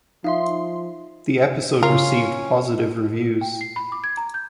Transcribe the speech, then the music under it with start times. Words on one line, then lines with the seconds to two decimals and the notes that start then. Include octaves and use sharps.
The episode received positive reviews.
0.24 F3 D#4 E5 F5 C6
1.83 C#3 C#4 F4 A#4
3.41 G5
3.61 C7
3.76 B5
3.92 D6
4.04 G#6
4.17 A#5
4.34 G6